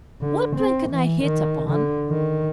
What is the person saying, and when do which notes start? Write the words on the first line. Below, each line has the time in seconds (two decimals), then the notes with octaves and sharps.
What plan can I hit upon?
0.22 D3
0.56 C4
0.90 E3
1.23 D#3
1.70 D3
2.10 D#3